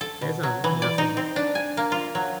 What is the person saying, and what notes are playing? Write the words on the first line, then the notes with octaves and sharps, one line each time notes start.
it's not nothing,
A4
B2
F#3
E3
D5
D#4
C4
D4
G#5
A#3
F4
F#3